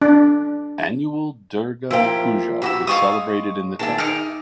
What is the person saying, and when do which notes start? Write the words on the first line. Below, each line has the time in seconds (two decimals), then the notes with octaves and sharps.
Annual Durga Puja is celebrated in the temple.
0.02 D4
1.91 F3 A#3 E4 F4 G4
2.62 F#4 G4 B5 D6 E6
2.87 G#3 F5 C#6 D#6
3.79 D#3 D4 G#4 E5 A5
3.98 D#4 D6 F6